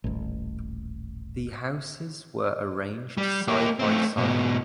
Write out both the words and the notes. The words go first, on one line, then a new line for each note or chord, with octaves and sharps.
The houses were arranged side by side.
D#1 A1
G3
A#3 G4
A3 C4
G#2 B2